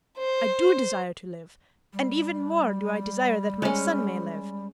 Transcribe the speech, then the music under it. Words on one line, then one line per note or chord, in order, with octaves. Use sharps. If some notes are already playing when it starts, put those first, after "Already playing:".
I do desire to live; and even more do I desire that my son may live.
C5
G3
G#3 C#4